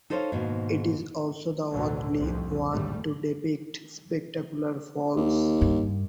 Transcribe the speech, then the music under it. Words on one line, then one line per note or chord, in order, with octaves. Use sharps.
It is also the only one to depict spectacular falls.
D#4 A4 C5 C#5 D#5 F5
G#2 B2 D#3 G3 A#3
A1 D2 B2 D3 F#3
C2 F2
G#1 D#2 A2 G3 A3
D#2
G2